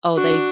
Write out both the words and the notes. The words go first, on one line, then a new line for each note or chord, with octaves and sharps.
Oh, they
D4 F#4